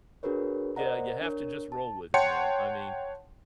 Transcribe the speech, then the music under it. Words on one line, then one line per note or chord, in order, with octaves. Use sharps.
yeah, you have to just roll with it, man. I mean,
D4 F#4 G#4 A#4 B4 C#5
A#4 C5 D5 D#5 F#5 A#5
D4 A#4 C#5
A5
C#5 F#5 G5 A5 C6 C#7